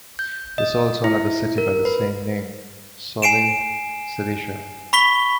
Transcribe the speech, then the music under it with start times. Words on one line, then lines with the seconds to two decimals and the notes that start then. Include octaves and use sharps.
There is also another city by the same name, Soli, Cilicia.
0.19 G6
0.58 D#5
1.04 E4
1.58 A#4
1.85 B4
3.22 G#5 C7 D7 E7
4.93 B5 C#6 B6 G7